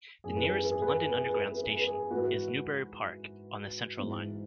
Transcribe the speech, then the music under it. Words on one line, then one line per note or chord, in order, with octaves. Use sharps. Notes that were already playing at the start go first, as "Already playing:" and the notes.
The nearest London Underground station is Newbury Park on the Central line.
F#2 E3 G#4
B4
G#4
B4
G#4
B4
G#4
B4
G#4
B4
G#4
B4
G#4
B4
G#4
G#2 E3 F#4 B4
G#2 E3